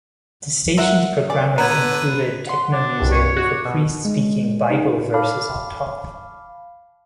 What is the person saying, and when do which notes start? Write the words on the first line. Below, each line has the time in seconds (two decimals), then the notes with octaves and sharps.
The station's programming included techno music with a priest speaking Bible verses on top.
0.77 A#4 E5 F#5 E6
1.30 D5 G#5
1.58 D3 B3 B4 C#5 A#5 F#6 G#6 D#7
2.47 F#5 C6
2.73 D4
3.00 C2 G2
3.12 C#5
3.37 F#4 D6
3.65 B2
4.05 G#3
4.70 D#4
5.14 F5 A5 B5 D6 F6